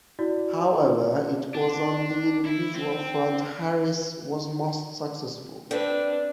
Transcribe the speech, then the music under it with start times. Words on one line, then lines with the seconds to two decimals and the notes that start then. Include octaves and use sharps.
However, it was on the individual front Harris was most successful.
0.19 E4 F#4 D5
1.54 D4
2.45 E4
2.75 C4
5.71 C4 D4 B4